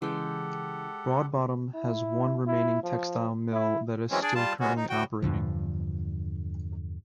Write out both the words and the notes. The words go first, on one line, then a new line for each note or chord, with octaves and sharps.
Broadbottom has one remaining textile mill that is still currently operating.
C#3 E3 G#3 G4 A4 F#5 G5
E4
E4
F3
E4
E3 F#3 G#3 C4 C#4
D4 G#4 D5
G3 F4 A5
C#3 G#3 B3 C#4 F#4
D#4
D2 A2 F#4 G5
E2 G2 D3 F3